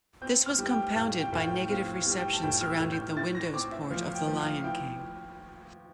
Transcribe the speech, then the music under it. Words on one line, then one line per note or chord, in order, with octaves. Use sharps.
This was compounded by negative reception surrounding the Windows port of "The Lion King".
C4 G6
F6
G3
G5
A2 F5
G5
A2 F5
G5
C4 F5
F5
G3
G5
A5
A2 G5
F6
E6
A2
G6
E4 A6
A#6
C4 D6
E5
F3 F5
F5
G5
F3
F5
F5
E4 G5